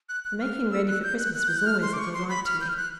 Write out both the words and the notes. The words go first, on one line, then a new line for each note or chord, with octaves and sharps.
The making ready for Christmas was always a delight to me.
F#6
F#6
F6
E6
F#6
G6
F#6
F#6
G6
F#6
F6
C6
D6
C#6
C6
B5
F6
G6
F6
F#6